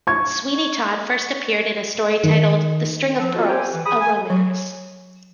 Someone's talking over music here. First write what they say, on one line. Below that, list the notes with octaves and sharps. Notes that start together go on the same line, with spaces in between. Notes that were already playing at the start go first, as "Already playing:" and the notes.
Sweeney Todd first appeared in a story titled "The String of Pearls: A Romance".
C#6 G#6
D#3
F3 C4
F4 F#4 A4 C5 D#5
G4 C5 C#5 G5 G#5
E3
G#4 B5 D#6
G#5
F#3